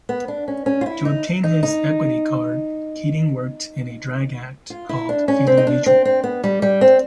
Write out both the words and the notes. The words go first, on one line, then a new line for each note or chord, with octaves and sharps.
To obtain his Equity card, Keating worked in a drag act called Feeling Mutual.
B3
D4
C#4
C#4
F4
E4
D#4
D#4
D#4
F4
E4
D4
C#4
C4
D#4
D4
C4
C4
B3
G3
G3
C4